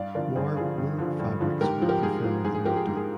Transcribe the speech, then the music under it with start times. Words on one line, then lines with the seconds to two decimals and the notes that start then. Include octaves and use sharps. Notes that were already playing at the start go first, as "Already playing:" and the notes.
Warm woollen fabrics were preferred in winter.
Already playing: G2 D5 F5
0.15 D3 F3 A#4 D5
0.36 G2 G#4 C5
0.56 D3 F3 G#4
0.78 G2
0.99 D3 F3
1.20 G2
1.40 D3 F3
1.61 G#2 G4 A#4
1.82 F3
1.89 G4 A#4
2.03 G#2 G#4
2.24 F3
2.45 G#2 G#4
2.55 G#4
2.65 F3 G4 A#4
2.76 G#4
2.87 G#2 G4
2.97 G#4